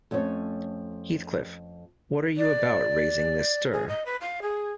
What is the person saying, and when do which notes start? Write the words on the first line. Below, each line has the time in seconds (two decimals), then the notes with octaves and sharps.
Heathcliff, what are you about, raising this stir?
0.11 F2 A3 C#4 G4 C#5
2.37 D5
3.72 G#4
3.88 D#5
4.06 B4
4.21 F5
4.42 G#4